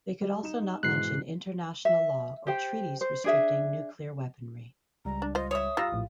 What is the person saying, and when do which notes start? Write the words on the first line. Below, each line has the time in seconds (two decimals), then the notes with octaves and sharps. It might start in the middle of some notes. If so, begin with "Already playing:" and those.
They could also not mention international law or treaties restricting nuclear weaponry.
0.22 G3
0.43 D#4 E7
0.83 G#2 B2 E3 F#6 C7
1.85 E5
2.47 G4 C5 G5
3.01 C5
3.24 D4 G#4 E5
5.05 C#2 G3 A#5
5.22 D4
5.35 F4 C5 D#5
5.51 C#5 E5 D#6
5.77 G3 F4 A#5 E6 A#6
5.92 A#1 A2